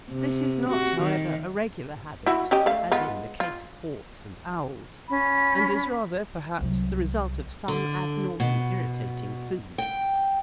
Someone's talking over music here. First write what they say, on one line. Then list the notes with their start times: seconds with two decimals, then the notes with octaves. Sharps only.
This is not, however, a regular habit, as in the case of hawks and owls, and is rather, perhaps, the result of some abnormally irritating food.
0.11 C3
0.69 F#4
1.02 D#3
2.27 E4 F#4
2.51 C#4 G4 D#5
2.66 A3 F5
2.92 G#3 B3 F4
3.40 F4
5.09 C#4 B5
6.59 C2 F#3
7.68 D3
8.40 B2
9.78 G5